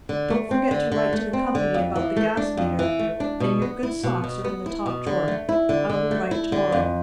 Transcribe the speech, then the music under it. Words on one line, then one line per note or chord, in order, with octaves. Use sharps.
Don't forget to write to the company about the gas meter, and your good socks are in the top drawer. I will write to-morrow.
D3
A3
C4
D3
D3
A3
C4
D3
F2
E3
A3
D4
F2
E3
A3
D4
B2
B3
E4
B2
B2
B3
E4
B2
D3
A3
E4
D3
D3
A3
E4
D3
F2